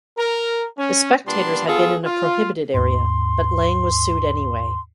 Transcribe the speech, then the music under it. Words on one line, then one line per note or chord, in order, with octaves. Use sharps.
The spectators had been in a prohibited area but Lang was sued anyway.
A#4
C#4
A#2 G3 B3 D4 C6
B3 F4 G#4 A4
F4
D#2 G#2 C6